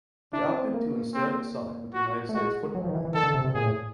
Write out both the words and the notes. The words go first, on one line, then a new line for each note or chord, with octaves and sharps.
He opted to instead sign with the United States Football League.
D4 E4
C#4
C4
A#3
C4
F#4
A3
G#3 F#4
F#3
F3
D#3
E3
E3
D#3 A4
D3
C3
C3
A#2 G#4
A2